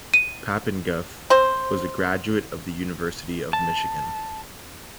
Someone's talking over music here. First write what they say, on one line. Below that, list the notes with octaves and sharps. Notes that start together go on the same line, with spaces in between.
Papenguth was a graduate of the University of Michigan.
D#7
C4 C5
A5